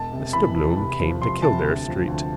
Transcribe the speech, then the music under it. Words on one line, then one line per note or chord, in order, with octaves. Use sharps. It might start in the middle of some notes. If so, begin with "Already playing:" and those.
Mr Bloom came to Kildare street.
Already playing: E1 A5
C3
E3 B5
E2
C2
F3
C2 C6
C3 A5
D2
F3
D2